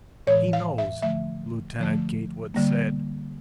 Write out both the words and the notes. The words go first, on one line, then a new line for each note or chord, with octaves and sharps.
"He knows," Lieutenant Gatewood said.
A2 E3 G#3 C#5
F5
E5
D3 F3 A3 E5
D3 F3 A3
D3 G3 A#3